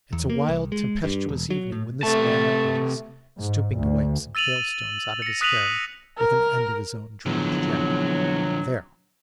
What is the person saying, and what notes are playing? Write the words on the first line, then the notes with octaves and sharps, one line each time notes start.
It's a wild tempestuous evening when this man that was,' stooping to wipe some hailstones out of his hair with an end of his own drowned jacket, '--there!
E2
A#3
C2
G#3
G2
E1
F#3
A2
C3 A3 A5
G#2
D2
E6 A6 D#7 F7 F#7
A#6 C#7
D#6 F#6 B6 D#7 F7 F#7
A#4
E2 D3 F3 F#3